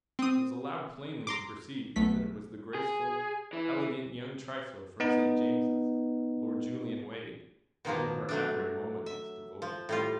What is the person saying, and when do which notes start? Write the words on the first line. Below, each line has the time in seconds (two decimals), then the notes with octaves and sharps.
He was allowed plainly to perceive that it was the graceful, elegant young trifler from St. James's, Lord Julian Wade, to whom her every moment was devoted.
0.19 C4 D#6
1.27 A#5 C6 D6
1.96 B1 A3 B6
2.75 G#4
3.53 E3
5.00 B3 D#4
7.85 B2 D#3 F3 A#3
8.29 F#3 A3 D4
9.06 E5
9.62 F3
9.89 A2 G3 F4